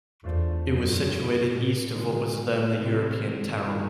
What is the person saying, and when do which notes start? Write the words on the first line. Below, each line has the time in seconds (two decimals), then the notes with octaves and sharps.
It was situated east of what was then the European Town.
0.24 E2 A3 D4 F4 A4 C5
0.66 F#2
1.09 G#2 F3 A3 C4 E4 G4
1.52 A2
1.94 D3 D#3 G#3 B3
2.80 C3 E3 G3 C4
3.23 D#3
3.65 F#3 A#3 D#4 G#4